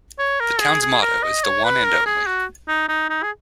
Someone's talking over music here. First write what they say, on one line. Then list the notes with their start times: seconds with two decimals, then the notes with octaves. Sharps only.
The town's motto is The One and Only.
0.19 C#5
0.41 A#4
0.60 G#4
0.82 G#4
1.03 A#4
1.23 D#5
1.44 C#5
1.64 B4
1.85 A#4
2.06 G#4
2.27 F#4
2.68 D#4
2.89 D#4
3.10 D#4
3.23 G#4